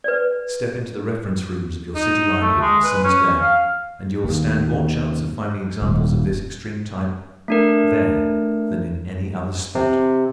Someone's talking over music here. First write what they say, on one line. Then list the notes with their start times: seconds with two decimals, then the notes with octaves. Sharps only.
Step into the reference rooms of your city library on a summer's day and you will stand more chance of finding examples of this extreme type there than in any other spot.
0.04 B4 D5
1.95 D#4
2.40 A3
2.61 G#3
2.84 B4
3.04 C#4
3.41 F5
4.24 D#2
5.82 D#1
7.48 A3 D4 A#4
9.75 C3